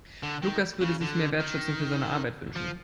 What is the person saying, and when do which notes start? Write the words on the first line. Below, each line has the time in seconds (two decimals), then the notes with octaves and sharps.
Lukas würde sich mehr Wertschätzung für seine Arbeit wünschen.
0.23 D3
0.42 D#3
0.81 C#3
1.01 D3
1.40 D#3
2.56 F3